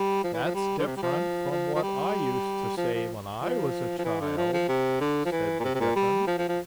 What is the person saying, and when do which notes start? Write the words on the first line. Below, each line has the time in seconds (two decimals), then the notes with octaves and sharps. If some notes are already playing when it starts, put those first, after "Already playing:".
'That's different from what I used to say when I was a child,' said the Gryphon.
Already playing: G3
0.24 F3
0.34 E3
0.44 F3
0.55 G3
0.79 D3
0.87 C3
0.97 G3
1.03 F3
1.51 F3
1.75 F3
1.82 G3
2.77 F3
2.94 F3
3.42 F3
3.99 F3
4.05 E3
4.21 D3
4.37 F3
4.53 F3
4.69 C3
5.01 D3
5.26 F3
5.32 E3
5.60 A#2
5.64 C3
5.75 C3
5.80 A#2
5.96 G3
6.28 F3
6.38 F3
6.48 F3